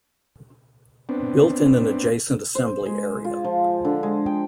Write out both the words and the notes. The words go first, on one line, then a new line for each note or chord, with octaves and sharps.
Built in an adjacent assembly area.
B3 C4 D4
C5
G#3
F4
F3
D3
G#3
G5